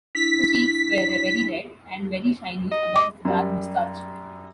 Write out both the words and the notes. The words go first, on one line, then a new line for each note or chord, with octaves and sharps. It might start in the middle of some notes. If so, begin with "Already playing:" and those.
His cheeks were very red and very shiny above his black moustache.
D4 E4 B6
D#5
D6
F#2 G3